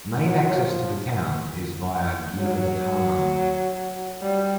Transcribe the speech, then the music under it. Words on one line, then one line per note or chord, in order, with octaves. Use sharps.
Main access to the town is via Guinobatan.
F#3
F3
F#3
G3